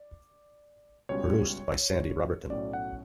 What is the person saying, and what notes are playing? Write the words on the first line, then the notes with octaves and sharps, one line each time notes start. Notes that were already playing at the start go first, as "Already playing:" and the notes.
Produced by Sandy Roberton.
Already playing: D5
C#2 B2 G3 C#4 C#5
B1 A2 F#3 C#4 D5
F#5